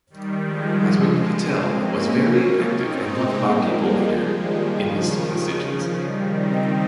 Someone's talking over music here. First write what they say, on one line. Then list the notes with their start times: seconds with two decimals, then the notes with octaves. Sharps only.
Hasmukh Patel was very active and loved by people leader in his constituency.
0.10 D#3 G3
0.43 F3 G#3
1.40 G#3 C4
1.73 A#3 C#4
2.72 C4 D#4
3.04 G#3 C4
3.37 G3 A#3
3.70 F3 G#3
4.35 D#3 G3
4.69 C#3 F3
5.00 D#3
5.33 C#3
5.66 C#3 F3
5.99 D#3 G3
6.31 C4 D#4